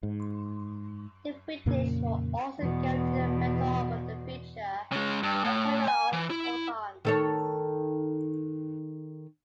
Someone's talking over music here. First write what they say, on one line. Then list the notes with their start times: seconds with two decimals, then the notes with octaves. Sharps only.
The British were also guaranteed a veto over the future appointment of sultans.
0.03 G#2
1.66 F2 A#2 C#3 A#3
2.59 E2 B2
4.92 C#3 G#3
5.23 G2
5.44 A2
5.88 G#5
6.13 E3
6.30 E4
7.05 D#3 A4 C#5